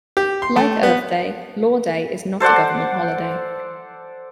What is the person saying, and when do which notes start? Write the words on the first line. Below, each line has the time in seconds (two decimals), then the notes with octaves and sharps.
Like Earth Day, Law Day is not a government holiday.
0.17 G4
0.42 C6
0.56 A3
0.83 B3
2.40 A4 C5 D5 F#5